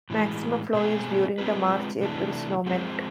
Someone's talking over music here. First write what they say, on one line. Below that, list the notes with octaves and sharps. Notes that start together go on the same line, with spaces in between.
Maximum flow is during the March-April snowmelt.
A2 E3 G#3
B2 A3 C4 G#4
G#3 C4 F4 G#4 B4
C3 E3 A3 D4
F3 G#3 C4